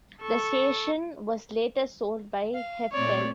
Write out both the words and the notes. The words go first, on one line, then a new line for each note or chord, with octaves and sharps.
The station was later sold by Heftel.
A4 C#6
F5
A#2 A3 C4 C#5 D5